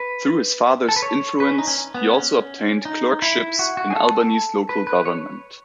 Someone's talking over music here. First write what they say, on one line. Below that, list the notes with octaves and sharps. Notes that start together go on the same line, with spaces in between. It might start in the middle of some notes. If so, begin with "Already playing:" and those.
Through his father's influence, he also obtained clerkships in Albany's local government.
Already playing: B4
A4
B4
C#5
B4
C#4
D#4
C#4
B3
C#4
D#4
E4
F#4
F#4
G#4
A4
B4
B4
C#5